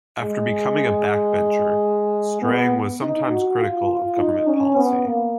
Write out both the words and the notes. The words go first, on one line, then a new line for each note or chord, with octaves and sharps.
After becoming a backbencher, Strang was sometimes critical of government policy.
G#3
B3
D#4
F#4
F4
F4
D#4
C#4
B3
A#3